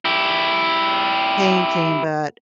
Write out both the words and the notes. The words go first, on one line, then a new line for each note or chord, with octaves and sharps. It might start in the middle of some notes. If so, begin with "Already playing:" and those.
painting, but,
E4 G4